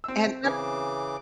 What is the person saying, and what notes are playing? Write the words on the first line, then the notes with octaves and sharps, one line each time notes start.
And so
C4 E6
C#3 E3 D6